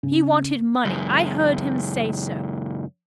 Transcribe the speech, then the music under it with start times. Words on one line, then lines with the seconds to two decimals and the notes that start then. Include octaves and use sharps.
He wanted money; I heard him say so.
0.03 C#3
0.85 C#2 F#2